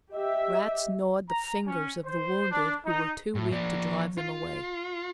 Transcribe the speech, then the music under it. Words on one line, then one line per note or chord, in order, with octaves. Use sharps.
Rats gnawed the fingers of the wounded who were too weak to drive them away.
G4 D#5 E5
A#5
C#4
C5
D4
D#4
A2
F3 D5
F4